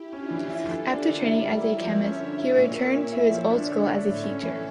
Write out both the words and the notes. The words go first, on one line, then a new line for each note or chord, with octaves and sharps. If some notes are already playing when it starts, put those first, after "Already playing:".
After training as a chemist, he returned to his old school as a teacher.
Already playing: E4 G4
C#4 D4 F4
E3
E4 F4 A4
E3
D4 G4 A#4
D3
E4 A#4 D5
G3
E4 C#5 E5
F3
C#4 C#5 E5
D3
E4 D5 F5
A#2
A#3 C#5 E5
A#2
E4 D5 F5
F3
D4 C#5 E5
D3
D4
A2
C#4 A4 C#5
E3